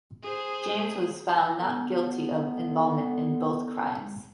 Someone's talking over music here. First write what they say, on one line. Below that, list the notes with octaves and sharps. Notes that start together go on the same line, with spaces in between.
James was found not guilty of involvement in both crimes.
G#4 C5
D3 B3